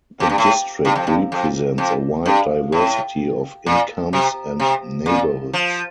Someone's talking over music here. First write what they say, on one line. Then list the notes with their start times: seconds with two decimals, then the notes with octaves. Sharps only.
The district represents a wide diversity of incomes and neighborhoods.
0.20 F2
0.29 G2
0.38 A2
0.85 G2
0.95 F2
1.07 G2
1.32 F2
1.78 F2
2.26 G2
2.72 A2
3.66 A#2
4.13 C3
4.60 C3
5.06 A#2
5.53 F3